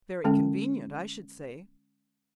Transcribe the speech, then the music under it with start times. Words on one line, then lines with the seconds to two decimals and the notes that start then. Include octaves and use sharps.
'Very convenient, I should say.'
0.24 D3 G#3 C#4 A4 G5